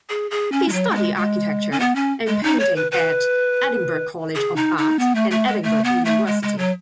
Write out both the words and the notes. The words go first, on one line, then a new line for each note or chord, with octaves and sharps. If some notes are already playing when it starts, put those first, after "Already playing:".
He studied architecture and painting at Edinburgh College of Art and Edinburgh University.
G#4
G#4
C#4
G#3
F#3
A3
G#3
G#3
C#4
B3
C#4
G#3
D#4
C#5
B4
B4
G#4
D#4
D#4
B3
A3
A3
G#3
A3
B3
A3
G#3
G#3
F#3